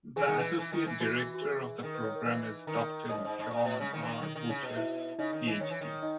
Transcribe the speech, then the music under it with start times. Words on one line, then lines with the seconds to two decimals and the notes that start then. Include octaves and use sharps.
The Associate Director of the Program is Doctor John R. Bucher, Ph.D.
0.16 E3 G#4 G#5
0.27 D#3 G#4 G#5
0.37 E3 B4
0.58 E3
0.72 D#3
0.86 E3
1.00 E3 F#4
1.34 F#4
1.42 G#4
1.83 D#3 A#4
1.94 B4
2.04 C#5
2.15 A#4
2.25 E3 B4
2.67 D#3 A#4 A#5
3.09 G#2 D#5 D#6
3.18 F#2
3.24 G#2
3.39 G#2
3.51 A#2
3.65 B2
3.80 C#3
3.93 D#3
4.03 E3
4.07 D#3
4.22 D#3
4.35 D#3
4.49 C#3
4.63 B2
4.76 E4 E5
5.19 C#3 D#4 D#5
5.33 D#3
5.47 E3
5.61 D#3 C#5
5.70 E3
5.81 D#3
6.03 D#4 D#5